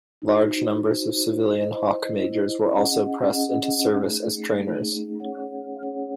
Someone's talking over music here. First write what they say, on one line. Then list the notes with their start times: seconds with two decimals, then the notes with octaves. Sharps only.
Large numbers of civilian Hawk Majors were also pressed into service as trainers.
0.22 D#4 F#4 C5
0.85 D#4 F#4 C5
1.46 E4 C5 D#5
2.09 E4 C5 D#5
2.71 C#4 G#4 D#5 F#5
3.34 C#4 G#4 D#5 F#5
3.96 A3 D#4 G#4
4.58 A3 D#4 G#4
5.20 C#4 G#4 C#5 F#5
5.83 C#4 G#4 C#5 F#5